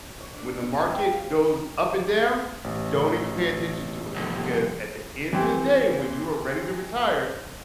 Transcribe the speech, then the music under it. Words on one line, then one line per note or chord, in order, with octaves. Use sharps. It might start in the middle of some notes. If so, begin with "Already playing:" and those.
When the market goes up and down, don't even pay attention to it, because at the end of the day, when you are ready to retire,
C#5
D4
C#5
A#3
C4
F5
A1
C2 F2
E3 G3 C4